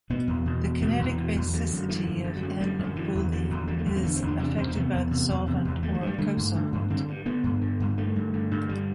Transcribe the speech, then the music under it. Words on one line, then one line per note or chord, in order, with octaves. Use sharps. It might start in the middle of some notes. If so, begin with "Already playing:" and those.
The kinetic basicity of "n"-BuLi is affected by the solvent or cosolvent.
B2 B3
E2
B2
E2
B2 A3
F#3
E2
E3
B2
E2
D3 F#3
F#2
D3 E3
F#2
D3
F#3
F#2
D3 G3
F#2 F#3
D3 E3
E2
D3 F#3
E2
D3 F#3
A3
E2 G3
C4
D3 B3
C4
E2
D4
C3 D4
E2 C4
C4
C3 B3
E2
C3
E2
C3
E2
D3 A3
F#3
G2
G3
D3 A3
G2
D3
G2
D3 C4
G2
D3 B3
G2
D3
G2
D3 A3
G2
D3
G2
D3 G3